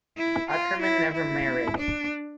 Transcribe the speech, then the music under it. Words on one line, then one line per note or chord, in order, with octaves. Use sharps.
Ackermann never married.
E4
F4
E4
E4
D4